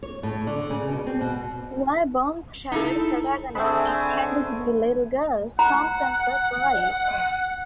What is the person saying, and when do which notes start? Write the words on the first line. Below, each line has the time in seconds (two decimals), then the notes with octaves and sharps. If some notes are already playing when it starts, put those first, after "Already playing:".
While Baum's child protagonists tended to be little girls, Thompson's were boys.
0.03 C#5
0.23 A2
0.47 D3
0.70 C#3
0.88 B2
1.07 C4
1.21 B2
2.72 D#4 E4 A4
3.55 D3 G#3 A3 C4 E5 G#5 B5
5.59 F#5 A#5